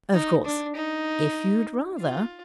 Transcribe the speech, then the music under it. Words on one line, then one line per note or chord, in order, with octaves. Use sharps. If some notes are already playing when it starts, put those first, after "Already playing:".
Of course, if you'd rather ...
D#4
D4
D#4
F4